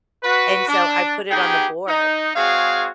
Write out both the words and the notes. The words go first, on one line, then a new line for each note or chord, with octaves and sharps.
And so I put it on the board.
F#4 B4
D4
B3 D#4 G4 G#4 G5
D#4
G#3 C4 F#4 G#4 C#5 F5